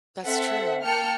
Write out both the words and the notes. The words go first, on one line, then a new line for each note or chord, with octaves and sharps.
That's true.
C4 A4 E5 F#5
A#3 G5 A5 F6 C#7